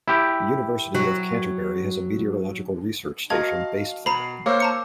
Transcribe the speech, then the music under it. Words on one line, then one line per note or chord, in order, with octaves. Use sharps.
The University of Canterbury has a meteorological research station based there.
E4 G4 G5
F#3
F#4 A#4 D#5 F5 A5 G#6
B2 A#5 B5 C7
A#3 A#4 C5 C#5 F5 D6 E6
A5 A#5 C#7